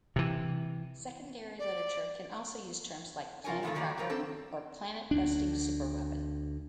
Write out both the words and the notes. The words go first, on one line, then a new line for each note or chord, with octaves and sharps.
Secondary literature can also use terms like "planet-cracker" or "planet-busting superweapon".
C3 E3
D5
C3 F4 A#4 C#5 G#5
A2 D#3 F3 A3 F4 A4
E2 D#3 A#3 F#4 D5
F#3 G3 A#4 C#5
C4 D4 A4
D2 D4